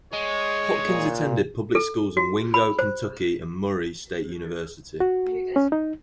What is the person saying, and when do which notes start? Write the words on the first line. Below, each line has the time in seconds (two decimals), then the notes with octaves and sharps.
Hopkins attended public schools in Wingo, Kentucky and Murray State University.
0.13 G#3 C#5
0.87 A#2
1.75 A4
2.17 F#4
2.54 B5
2.79 C5
5.00 F#4
5.56 C#4
5.72 D#4